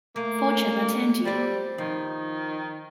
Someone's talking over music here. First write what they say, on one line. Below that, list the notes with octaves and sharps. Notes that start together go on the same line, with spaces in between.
Fortune attend you !
A3 A#3
G3 C4 D5
D#3 F3